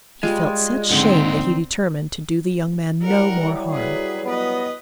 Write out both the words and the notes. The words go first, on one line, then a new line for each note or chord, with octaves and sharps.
He felt such shame that he determined to do the young man no more harm.
G3 G#3 F4
D#2 G#2 D3 C4 D#4
F#3 G3 E4 A#4 F#5
G#4 B4
B3 B4 D#5